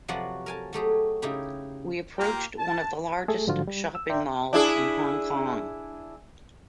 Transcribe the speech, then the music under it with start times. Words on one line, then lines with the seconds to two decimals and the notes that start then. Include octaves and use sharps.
We approached one of the largest shopping malls in Hong Kong.
0.08 C3 F3 F#3 F#4 B4 D5
0.46 A#4 G#5 A5
0.73 F#3 A3 G4 G#4
1.22 C#3 D#4 E4 G4
2.18 A#3 F4 G4 G5 A#5
2.59 A5
3.28 A3 G#4 A4
3.47 G#2 D3 F3 F#3 F4 F#4
3.67 G3
3.95 E6
4.10 D5 E5 G5 A#5 C6
4.53 D4 E4 G#4